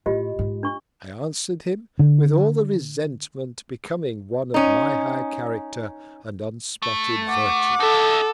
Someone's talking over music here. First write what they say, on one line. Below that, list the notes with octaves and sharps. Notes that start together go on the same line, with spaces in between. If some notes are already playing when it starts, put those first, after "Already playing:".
I answer'd him with all the Resentment becoming one of my high Character and unspotted Virtue.
A2 F4 G4 D#5
G#2
D4 C#6
D3
C#4 D#4
A3
F#5 D6
D#4 A4 E5